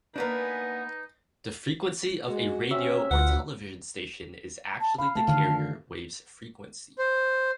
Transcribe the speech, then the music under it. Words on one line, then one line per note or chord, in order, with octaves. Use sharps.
The frequency of a radio or television station is actually the carrier wave's frequency.
A#3 B3 D4 D#4 B4 G#5
G#3 F#4
C3 C#4 E5
D2 F4 B4 F#5
A5
F5 B5
A3 A5
D3 D#3 F5
C5